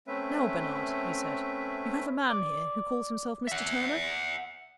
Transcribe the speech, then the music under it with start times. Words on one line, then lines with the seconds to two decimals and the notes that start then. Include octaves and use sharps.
"Now, Bernard," he said, "you have a man here, who calls himself Mr. Turner?"
0.07 A3 C4 C#4 B4 E5
2.30 D5 D6
3.47 E5 F#5